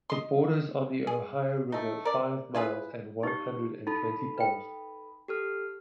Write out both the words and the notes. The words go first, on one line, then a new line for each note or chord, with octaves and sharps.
It borders on the Ohio River five miles and one hundred and twenty poles.
D#5 C6
G#4
A3 D#4
A#4 D5
E4 F4 G#4 B4
D#4 G4 C#6
D#4 A4 A5 B5
B4 G5
G4 A4 F6